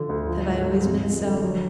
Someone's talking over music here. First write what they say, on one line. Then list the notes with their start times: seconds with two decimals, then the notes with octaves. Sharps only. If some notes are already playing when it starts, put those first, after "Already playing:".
Have I always been so?
Already playing: D3 F3
0.09 D2
0.28 F3
0.47 G#2
0.66 G#2
0.85 F2
1.04 F2
1.24 D3
1.42 F#3